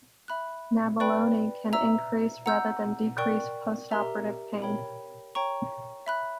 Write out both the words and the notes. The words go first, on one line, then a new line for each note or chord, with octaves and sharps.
Nabilone can increase-rather than decrease-post-operative pain.
E5 B5 F#6
B4 D5 G5 B5 F#6
E5 A#5 E6
F#5 A#5 E6 G6
A#4 D5 G5 C#6 F#6
G4 A#4 E5 A#5 E6
A#4 C#5 G5 B5
C#5 G5 A#5 C#6
E5 B5 F#6